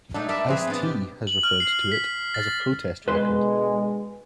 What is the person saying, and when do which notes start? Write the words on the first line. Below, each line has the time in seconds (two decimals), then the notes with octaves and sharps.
Ice-T has referred to it as a protest record.
0.14 F#3 A3 D4 D#4
0.29 G3 A#4 D5 E5 A5 B5
0.49 F3 C4 G#4 B4 E5
0.67 B3 D4
0.82 B2 G4
1.27 F#7
1.43 F6
1.60 C7
1.92 B6
2.34 A6
3.08 B2 D3 G#3 B4 C6